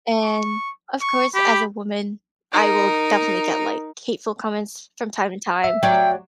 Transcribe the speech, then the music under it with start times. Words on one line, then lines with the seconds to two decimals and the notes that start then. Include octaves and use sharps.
and, of course, as a woman, I will definitely get, like, hateful comments from time to time.
0.23 C#6
1.01 C#6
1.35 G4 B5
2.52 D#4 A#4
5.64 E5
5.83 F#3 D5 G5